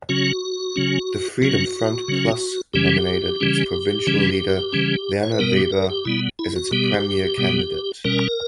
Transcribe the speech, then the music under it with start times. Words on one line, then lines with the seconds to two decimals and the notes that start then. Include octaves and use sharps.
The Freedom Front Plus nominated its provincial leader Werner Weber as its premier candidate.
0.09 C#3 F#3 C#4 F#4
0.76 C#3 F#3 C#4
1.42 C#3 F#3 C#4 F#4
2.08 C#3 F#3 C#4
2.74 C#3 E3 G3 C#4 G4
3.40 C#3 E3 G3 C#4
4.07 C#3 E3 G3 C#4
4.73 C#3 E3 G3 C#4
5.23 C#5
5.32 B4
5.39 B2 G3 B3 A#4
5.56 G4
5.72 A#4
5.90 G4
6.05 B2 G3 B3 E4
6.39 E4
6.56 F#4
6.71 B2 G3 B3 G4
7.38 B2 G3 B3
8.05 B2 G3 C#4 A#4